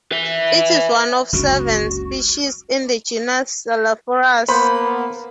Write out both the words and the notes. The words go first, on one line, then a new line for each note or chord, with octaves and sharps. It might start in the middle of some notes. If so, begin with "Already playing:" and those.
It is one of seven species in the genus "Selasphorus".
B4 E5
F#1 C#2 D3 F#4
A#3 B3 C5 B5